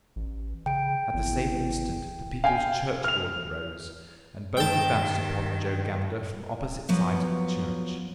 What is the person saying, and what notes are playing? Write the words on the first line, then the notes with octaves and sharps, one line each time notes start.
At the same instant the people's churchwarden rose, and both advanced upon Joe Gander from opposite sides of the church.
A1
C#3 G5 D7
G#1 E2
F5 G5 G#5
F6 F7
G2 D#3 G5 A5
F3 F#3 B3